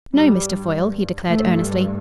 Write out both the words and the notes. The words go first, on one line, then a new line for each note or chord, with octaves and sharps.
"No, Mr. Foyle," he declared earnestly.
G2 G3
G2 A3